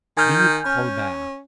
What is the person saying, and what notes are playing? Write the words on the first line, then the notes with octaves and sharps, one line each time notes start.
Vive Colbert!
D#3 G#5 F6 G6
C#4